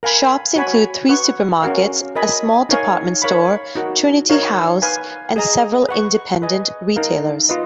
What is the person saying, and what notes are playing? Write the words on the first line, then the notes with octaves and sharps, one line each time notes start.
Shops include three supermarkets, a small department store, Trinity House, and several independent retailers.
A#4 F5 G#5 B5
F#4 C#5 G#5 B5
B4 F#5 C#6
C#4 F#4 A#4 F5
A#4 D#5 G#5 B5
D#4 A#4 C#5 F5 G#5
A#4 C#5 F5 B5
D#4 F#4 A#4
D#4 A#4 C#5 F5
B4 F5 G#5
G#4 D#5 A#5
B4 F#5 C#6
B4 D#5 G#5
D#4 A#4 F5
F4 B4 D#5